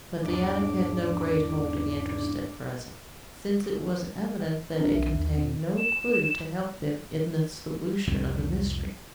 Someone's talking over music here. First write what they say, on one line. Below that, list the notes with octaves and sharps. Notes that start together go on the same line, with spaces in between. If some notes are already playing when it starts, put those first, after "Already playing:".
But the attic had no great holding interest at present, since it was evident that it contained no clue to help them in the solution of the mystery.
E2 G#2 C#3 D4 D6
E3 F3 C4 D4 A#4 B4
B1 E5
D#2
A#2 C4
E7
C2 F2 A2 G3